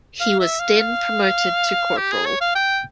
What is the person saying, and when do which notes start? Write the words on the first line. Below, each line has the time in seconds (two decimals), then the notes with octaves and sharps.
He was then promoted to corporal.
0.20 F5
0.40 E5
0.60 F5
0.80 F5
1.97 G4
2.11 G#4
2.26 C#5
2.41 F5
2.55 G5